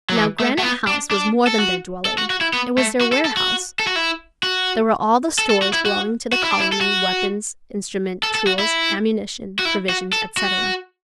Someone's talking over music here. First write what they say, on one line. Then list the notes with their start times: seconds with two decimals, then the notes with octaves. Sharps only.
Now Granite House was more than their dwelling, it was their warehouse. There were all the stores belonging to the colony, weapons, instruments, tools, ammunition, provisions, etc.
0.10 F#3
0.16 E3
0.40 A3
0.58 A3
0.63 B3
0.87 D4
1.11 D4
1.47 A4
1.58 F#4
2.05 A4
2.18 F#4
2.30 F#4
2.41 E4
2.53 B3
2.78 A3
3.01 F#4
3.13 A4
3.25 A4
3.37 F#4
3.79 A4
3.87 F#4
3.96 E4
4.43 F#4
5.38 A4
5.50 A4
5.62 F#4
5.74 E4
5.86 F#4
6.33 F#4
6.42 E4
6.51 D4
6.60 E4
6.72 A4
6.81 F#4
8.23 A4
8.35 A4
8.47 F#4
8.59 E4
9.59 F#4
9.65 E4
9.89 F#4
10.13 A4
10.37 F#4